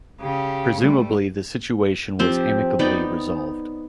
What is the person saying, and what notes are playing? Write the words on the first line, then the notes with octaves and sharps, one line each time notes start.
Presumably the situation was amicably resolved.
C#3 G4
G3 A3
F3 C4 G4
B3 D#4 D5 G5